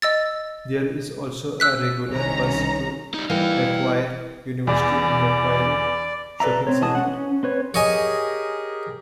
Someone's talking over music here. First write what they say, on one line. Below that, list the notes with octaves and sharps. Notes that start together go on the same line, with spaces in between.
There is also a regular bus to Macquarie University and Macquarie shopping centre.
D#5 E6 A6
E6 F#6 B6
C2 D#3 C#4 A#5
G3 D#4
E3 G3 A#3 F5 G5
E2 D5
A4 B4 D5 E5 A#5
C4 C#5
E3 G#3 F#4 A5 D#6
C#4 F#5
C#4
C4 B4 C#5
G4 G#4 A#4 C#5 D#5 G#5